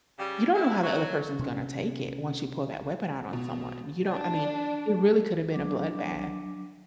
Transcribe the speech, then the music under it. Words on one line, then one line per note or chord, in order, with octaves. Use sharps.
you don't know how the other person's gonna take it once you pull that weapon out on someone, you don't I mean, it really coulda been a bloodbath,
C#3 G3
G#3 E4
F#3
C3 C#4
B2
D4
F#3 D4 D6